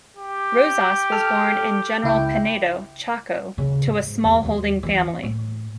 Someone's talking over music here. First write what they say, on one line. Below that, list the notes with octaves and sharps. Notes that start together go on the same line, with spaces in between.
Rozas was born in General Pinedo, Chaco, to a smallholding family.
G4
A4 F6
C#2 E4 G5
C#3
G#2
E2
D#2
E3
A2